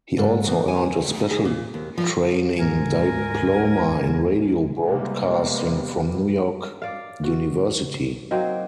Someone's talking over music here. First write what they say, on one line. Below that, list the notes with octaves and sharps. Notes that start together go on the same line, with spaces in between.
He also earned a special training diploma in radio broadcasting from New York University.
G#2
E2
G#5
D2
G#4
A#2
D#2
F3
D1 D2 G#2 A#4 G#5
C3 G3 G#3 A#3 B3
D5 F5
F#4
F#3 A#3 C4 D#4